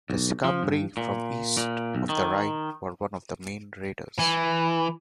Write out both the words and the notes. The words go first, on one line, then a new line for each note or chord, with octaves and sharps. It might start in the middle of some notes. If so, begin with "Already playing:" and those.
The Sicambri, from east of the Rhine, were one of the main raiders.
B1
F3
G2
A#2
A#2
B1
D#3
E3